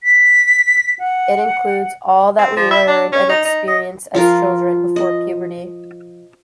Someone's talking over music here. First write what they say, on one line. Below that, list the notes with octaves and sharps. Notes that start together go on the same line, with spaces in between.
It includes all that we learned and experienced as children, before puberty.
B6
F#5
C4
F3
E5
D4
C#4
D#4
D#4
D#5
F3 F4 A#4
D#5